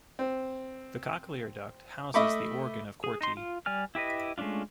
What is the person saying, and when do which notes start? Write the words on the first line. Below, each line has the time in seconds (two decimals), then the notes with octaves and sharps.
The cochlear duct houses the organ of Corti.
0.19 C4
2.14 A3 D#5 E5 B5 C#6 D6
3.04 G#4
3.21 D#4 C6
3.37 F4
3.66 G3 D5 G#5 F6
3.95 E4 G4 B4 D#5
4.38 G#3 A3 C#4 D4 F4